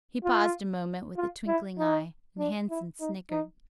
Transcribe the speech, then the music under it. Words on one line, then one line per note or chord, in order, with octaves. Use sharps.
He paused a moment with a twinkling eye, and Hansen snickered.
F4
F4
E4
D#4
D4
E4
D#4
D#4